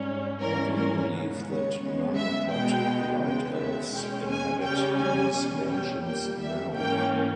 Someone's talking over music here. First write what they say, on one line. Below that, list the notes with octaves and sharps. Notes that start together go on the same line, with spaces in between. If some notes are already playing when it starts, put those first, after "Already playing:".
But we believe that none but Light-Elves inhabit these mansions now.
Already playing: G#2 G3 C#4
G#2 E3 G3 C#4 A#4
A#4
C#3 G#3 B3
C#5
C#3 G#3 B3
E5
B2 G#3 B3 G5
E2 C#3 G#3 B3 G5
E5
B2 G#3 C#4 G5
G#5
C#3 G3 C#4 G5
G#5
E2 B2 G3 C#4
G5
A#2 G3 A#3 G5
E5
G#2 E3 A#3 C#4 G5